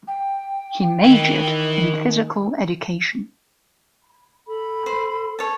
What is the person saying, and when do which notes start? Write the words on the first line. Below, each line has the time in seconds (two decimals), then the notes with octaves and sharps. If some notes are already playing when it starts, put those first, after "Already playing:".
He majored in physical education.
0.08 G5
1.05 D#3 E3
4.48 A4 B5
4.86 C5
5.39 C#5 A5